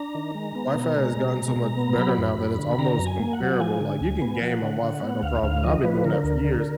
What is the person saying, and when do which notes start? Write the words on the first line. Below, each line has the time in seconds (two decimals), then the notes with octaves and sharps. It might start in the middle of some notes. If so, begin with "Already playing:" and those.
Wi-Fi has gotten so much better now that it's almost comparable like, you can game on Wi-Fi, no problem, and I've been doing that for years.
Already playing: D4 A#5
0.15 D#3
0.35 G#3
0.55 B3
0.75 B2
0.96 G#3
1.17 B2
1.37 G#3
1.57 B2
1.77 B3
1.97 F#3 B5
2.18 F#2
2.38 F#2
2.59 D3
2.78 D3 A#5
2.99 F#2
3.06 G#5
3.20 A#3
3.33 F#5
3.40 F#3
3.60 F3 G#5
3.81 D3
4.01 D2
4.22 B3
4.41 F3 F#5
4.62 D3
4.83 D3
5.03 B3
5.22 D2 F5
5.43 D2 F5
5.64 F3 D#5
5.84 F3 B4
6.04 D3 A#4
6.24 D2
6.45 D3